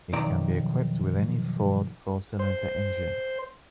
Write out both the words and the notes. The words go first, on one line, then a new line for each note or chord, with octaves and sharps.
It can be equipped with any Ford four-cylinder engine.
B1 F2 D#3 D5 A#5
C5